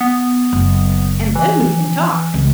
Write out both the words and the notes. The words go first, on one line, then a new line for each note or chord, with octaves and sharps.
And then we can talk.
B3
F#1
E3
F3
C#2